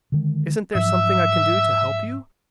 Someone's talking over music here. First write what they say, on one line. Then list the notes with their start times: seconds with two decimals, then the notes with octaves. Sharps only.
"Isn't there something I can do to help you?"
0.12 D3 D#3 G#3
0.75 G#2 F3 F#3 E5 E6